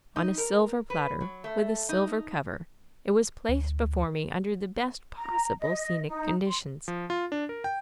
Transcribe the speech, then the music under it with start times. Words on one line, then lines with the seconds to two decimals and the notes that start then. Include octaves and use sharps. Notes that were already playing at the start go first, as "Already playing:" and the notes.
On a silver platter, with a silver cover, it was placed before me under the best possible scenic conditions.
0.16 D#4
0.38 A#4
0.90 B4
1.20 F#3
1.44 A3
1.89 D#4
3.49 D2
5.17 A#5
5.59 D#5
6.08 D#4
6.45 C6
6.88 F3
7.10 F4
7.32 D4
7.49 A#4
7.64 G5